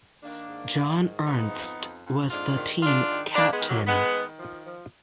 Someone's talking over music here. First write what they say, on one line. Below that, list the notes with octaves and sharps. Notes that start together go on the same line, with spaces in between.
John Ernst was the team captain.
D#3 A#3 D4
G#2
D#3
G#2
F3 B3 D#4
F2
F2
F2
G#2 D4 F4
D#3
G#2 D4 F4
D#3
D#3 A#3 D4
G#3 B3
D#3
F#3 A#3
D#3 G#3 B3
D#3
F3
F3